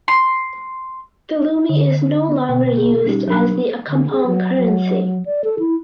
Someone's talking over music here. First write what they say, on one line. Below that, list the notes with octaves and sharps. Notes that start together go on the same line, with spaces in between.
The lumi is no longer used as the Accompong currency.
C6
D3
B3
B2 B3 G5
G#4
G3 C#4 D#4 G4
F#3 D4 A#4 B5 E6 F#6
D3
G#4
F#3
F#3
D5
A4
E4